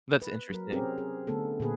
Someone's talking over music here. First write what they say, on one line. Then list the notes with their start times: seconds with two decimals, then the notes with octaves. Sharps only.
That's interesting.
0.22 B4
0.50 F#3 A#4
0.72 C4 C#4 G4 G#4 A#4
0.98 G#4
1.27 D3 A3 B3 A4
1.60 A#2 D3 G#4 B4